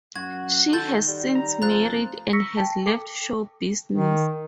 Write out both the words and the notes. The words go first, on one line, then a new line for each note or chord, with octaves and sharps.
She has since married and has left show business.
F#2 F#4 G#6
D#3 A4 C6 G6 A6
G3
A#5
F1 F3 C4 A4 A#5 F#6
C#6 E6 A#6 B6 C#7
G5 A5
A4 D6
D#3